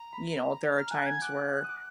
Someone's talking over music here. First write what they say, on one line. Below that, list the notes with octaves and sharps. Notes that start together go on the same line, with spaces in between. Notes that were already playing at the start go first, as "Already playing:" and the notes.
you know, there are times where,
Already playing: A#5
B5
A#5 F6
G#5 F#6
F#5 G#6
D6 F#6
D6 D#6